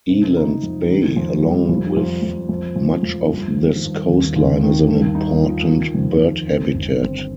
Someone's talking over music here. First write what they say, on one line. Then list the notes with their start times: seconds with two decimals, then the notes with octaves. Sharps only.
Eland's Bay along with much of this coastline is an "important" bird habitat.
0.10 C3
0.37 D#4
0.63 F2
0.90 D#3
1.17 F2
1.43 G3
1.69 F2
1.97 F2
2.23 F2
2.49 F2
2.76 F2
3.03 F2
3.29 G2
3.55 D#3
3.82 G2
4.09 D#2
4.36 D#2
4.63 D#3
4.88 G2
5.15 D#4
5.42 F3
5.69 D#3
5.95 F2
6.22 D#3
6.48 C4
6.75 G1
7.02 C4